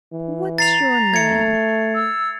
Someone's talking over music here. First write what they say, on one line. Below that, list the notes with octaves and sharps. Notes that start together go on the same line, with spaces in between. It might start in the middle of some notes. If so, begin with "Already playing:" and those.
"What's your name?"
E3
A#5 A6 C7 F7
A3 G#6 C#7
E6